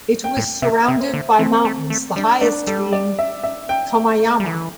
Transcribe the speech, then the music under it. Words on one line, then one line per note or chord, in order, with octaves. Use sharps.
It was surrounded by mountains, the highest being Komeyama.
G5
A2
C3 E5
C3
C5
D3
E3 C4
A3
A3
G3 D4
A3 D4
G3 A4
D5
E5
E5
G5
G3
E3